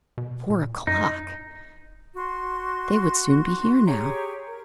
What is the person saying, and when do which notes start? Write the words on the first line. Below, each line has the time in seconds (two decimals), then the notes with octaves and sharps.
Four o'clock! they would soon be here now.
0.18 B2
0.50 A#2
0.87 F#2 D#4
2.15 F#4 C6
3.86 G4 G#4 C#5 A#5
4.47 A#4